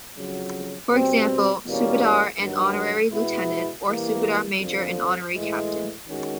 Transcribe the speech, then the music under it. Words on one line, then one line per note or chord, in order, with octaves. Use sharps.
For example, "subedar and honorary lieutenant" or "subedar major and honorary captain".
F2 C#3 F#3
B2 G3 C4
E2 B2 G3 A#3 C#4
G2 D#3 F#3
B2 G#3 B3 E4
E3 G3 A#3
F2 D3 F3
A2 E3 G#3
D#3 G#3 C#4 F#4